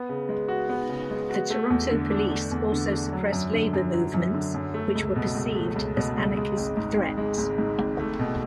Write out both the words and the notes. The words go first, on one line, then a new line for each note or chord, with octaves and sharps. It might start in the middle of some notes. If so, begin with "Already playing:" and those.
The Toronto Police also suppressed labour movements which were perceived as anarchist threats.
Already playing: B3
C#3
G#3
F#4
B3
C#3
G#3
F#4
A3
E2
D3
D4
A3
E2
D3
D4
F#3
F#2
D3
F#2
F#3
F#2
D3
F#2
A3
C#2
B2
C#2
A3
C#2
B2
C#2
G#3
G#1
G#2
G#1
G#3
G#1
G#2
G#1
A3
B2